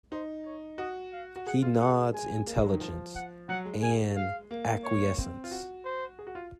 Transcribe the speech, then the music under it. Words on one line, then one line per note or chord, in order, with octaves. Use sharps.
He nods intelligence, and acquiescence.
D#4 C5
C#5
F#4 D#5
F5
F#4
G#4 F#5
F4
G#3 F#5
G#3 G#5
A#3
G#3
F#3
D#3
F3
F#5
F#3 F#5
G#3
G#5
F5
A#3
C#5
C4
F4
F#4
C5
G#4
F#4
F4